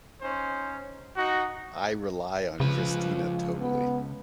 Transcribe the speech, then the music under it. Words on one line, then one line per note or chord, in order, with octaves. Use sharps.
I rely on Kristina totally.
C#4 D#4 C5
D#4 F#4
C#2 C#3 F3 B4
B3